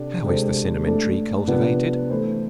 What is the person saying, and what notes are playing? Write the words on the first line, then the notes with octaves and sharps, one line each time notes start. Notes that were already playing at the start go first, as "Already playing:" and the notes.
How is the Cinnamon Tree cultivated?
Already playing: C3 D4 A4
C3 G#3 D4 A4 C5
A3 D4 A4
C3 F3 B3 D4
E3 A3 E4 A4 C5